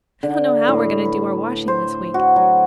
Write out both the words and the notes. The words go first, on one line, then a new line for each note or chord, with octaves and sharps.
I don't know how we are going to do our washing this week.
D3
A2
B4
C5
F#4
F#3